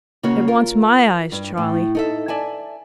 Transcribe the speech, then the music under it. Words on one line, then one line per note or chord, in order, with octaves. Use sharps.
It wants my eyes, Charley.'
C#3 A#3 C#4 F#4 C#5
F4 A#4
G2
A2
D#4 A4 E5
D5 E5 G#5 A5